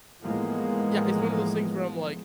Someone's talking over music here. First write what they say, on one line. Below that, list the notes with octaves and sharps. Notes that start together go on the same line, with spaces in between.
Yeah, it's one of those things where I'm like,
A2 E3 F3 G#3 A#3 B3